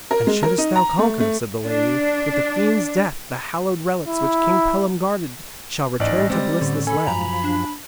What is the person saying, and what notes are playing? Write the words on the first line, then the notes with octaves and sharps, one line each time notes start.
'And shouldst thou conquer,' said the lady, 'with the fiend's death the hallowed relics which King Pellam guarded shall return to bless this land.
A#4
G#3
A#4
D#4
A#5
A3
A3
D4
E4
A1 G#2 D5 D#5
G3 G#3 C4 D5 A#6
A2 D3 C#4
A4 G#5 B5
F#2 F3 A#5
D4